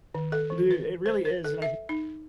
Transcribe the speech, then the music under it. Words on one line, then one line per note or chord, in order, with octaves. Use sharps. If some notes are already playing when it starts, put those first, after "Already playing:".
Dude, it really is, and I
D#3
A4
E3
B4
C5
B4
A4
E5
D#4